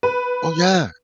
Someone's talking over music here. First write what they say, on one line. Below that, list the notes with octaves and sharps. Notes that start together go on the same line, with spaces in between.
Oh yeah.
B4